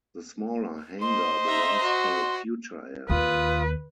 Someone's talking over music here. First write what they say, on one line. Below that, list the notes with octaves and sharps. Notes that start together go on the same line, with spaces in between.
The smaller hangar belongs to Future Air.
C5 D#5 C6
E5 A#5
F#4
D#2 F4 B4 D#6